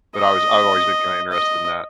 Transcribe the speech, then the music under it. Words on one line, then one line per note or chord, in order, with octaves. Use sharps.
But I was I've always been kinda interested in that.
D#5
D#5